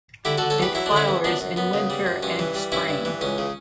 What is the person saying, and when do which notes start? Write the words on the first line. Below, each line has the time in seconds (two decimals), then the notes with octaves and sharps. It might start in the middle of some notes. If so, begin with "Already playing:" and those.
It flowers in winter and spring.
0.25 D3 E4 G4
0.38 F#4 A4
0.42 D3
0.50 A4 C#5
0.58 E2 G4 B4
0.75 F#3 E4
0.86 D3 D4
0.96 C#4 E4
1.08 E2
1.24 F#2 B3 D4
1.41 F#2
1.56 F#2 B3
1.73 C#3
1.90 G3
2.06 F#2
2.23 G2 C#4
2.39 E3
2.55 G3
2.72 G2 C#4 E4
2.88 G2
3.05 E3
3.21 C#2 C#4
3.38 C#3